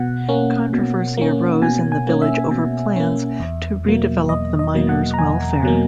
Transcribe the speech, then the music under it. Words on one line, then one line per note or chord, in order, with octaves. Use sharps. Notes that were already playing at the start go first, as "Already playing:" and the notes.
Controversy arose in the village over plans to redevelop the Miners' Welfare.
Already playing: B2 F#5
A#3 C#4
B2
A#3 C#4
B2 G#5
G#5
A#3 C#4
E5
B2
A#3 C#4
E2
B2 F#3 A#3
E2 D#5
D#5
B2 F#3 A#3
F#5
A#5
E2 G#5
B2 F#3 A#3